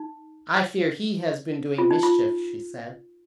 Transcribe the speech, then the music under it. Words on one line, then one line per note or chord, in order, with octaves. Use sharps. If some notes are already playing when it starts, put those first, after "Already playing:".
"I fear he has been doing mischief," she said.
Already playing: D#4
F4
D#4
F4